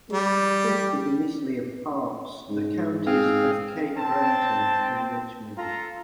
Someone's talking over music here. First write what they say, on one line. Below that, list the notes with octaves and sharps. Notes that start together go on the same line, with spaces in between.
It consisted initially of parts the Counties of Cape Breton and Richmond.
G3 G4
G#2
C4 G#4 F5
C4 A5
F4 A4 A#5